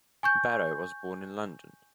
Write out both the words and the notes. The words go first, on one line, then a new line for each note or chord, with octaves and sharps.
Barrow was born in London.
G#5 C#6 G6